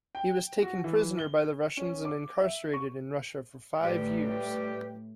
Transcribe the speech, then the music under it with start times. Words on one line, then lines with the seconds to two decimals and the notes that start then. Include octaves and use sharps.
He was taken prisoner by the Russians and incarcerated in Russia for five years.
0.15 G5
0.62 F#4
0.84 E3
1.19 G7
1.77 C#4
2.05 D6
2.41 E5
2.73 C#6
3.83 A2 G3 G4 B4